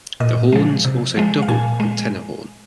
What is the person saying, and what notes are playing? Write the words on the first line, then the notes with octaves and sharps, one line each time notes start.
The horns also double on tenor horn.
A#2 D#5
F3 G#3
C3
F3 G#3
F5
A#2 G#5
G#3